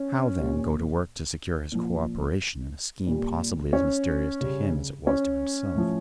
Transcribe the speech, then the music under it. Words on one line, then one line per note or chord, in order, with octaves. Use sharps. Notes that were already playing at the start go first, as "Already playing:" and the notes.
How, then, go to work to secure his cooperation in a scheme possibly as mysterious to him as it was to himself?
Already playing: C#4
A#2 G3
A#2 F3
A#2 G3
C#4
C#3 G3
C#4
A2 F3